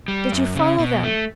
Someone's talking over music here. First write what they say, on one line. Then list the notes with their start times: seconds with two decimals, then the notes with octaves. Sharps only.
"Did you follow them?"
0.08 G3
0.32 F#2
0.55 C#3
0.79 B2
1.04 A3